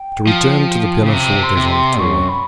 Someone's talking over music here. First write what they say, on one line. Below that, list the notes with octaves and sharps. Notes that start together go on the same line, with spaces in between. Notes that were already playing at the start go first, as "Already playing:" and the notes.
But to return to the pianofortes on tour.
Already playing: G5
F3
C#3
C3 G5
C6
C3
C6
F#2 C#6
B5